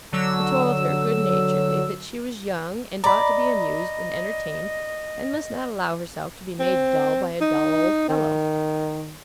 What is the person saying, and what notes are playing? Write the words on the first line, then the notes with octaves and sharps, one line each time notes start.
He told her, good-naturedly, that she was young and ought to be amused and entertained, and must not allow herself to be made dull by a dull old fellow.
D3 F#3 E6
D5 D#5 A#5 B5
C4
D#4
D#3